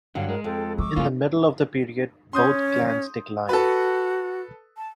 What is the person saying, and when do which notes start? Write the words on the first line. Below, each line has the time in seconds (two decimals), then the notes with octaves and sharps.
In the middle of the period, both clans declined.
0.15 G2 D3 F#3 F5
0.29 G#3 A#4
0.44 F2 F4 A4 G5
0.78 F3 C#6 D6 E6
0.96 G2 F3 A#3 C#4 F4
2.33 C#4 C6 D#6 G6
3.49 F#4 A4 B4
4.77 A5